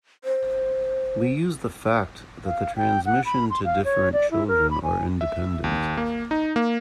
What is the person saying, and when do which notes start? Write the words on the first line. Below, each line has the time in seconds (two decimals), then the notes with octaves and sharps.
We use the fact that the transmission to different children are independent.
0.24 C5
2.46 F5
2.77 G5
3.06 F#5
3.25 B5
3.50 C6
3.65 F5
3.84 C#5
4.13 D5
4.31 E4
4.48 A#4
4.71 B5
4.84 G#5
5.21 E5
5.64 D#2
5.97 A#3
6.31 D#4
6.56 A#3